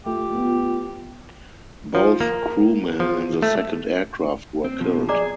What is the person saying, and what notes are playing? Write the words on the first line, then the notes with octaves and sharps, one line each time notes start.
Both crewmen in the second aircraft were killed.
A3 F4 G4
A3 B3
F3
A#3
F3
A3
C4
B2 F3
G#4 D5 A#5 D6